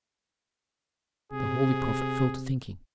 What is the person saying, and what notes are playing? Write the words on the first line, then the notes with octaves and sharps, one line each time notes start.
The holy prophet fell to thinking.
C3 G#4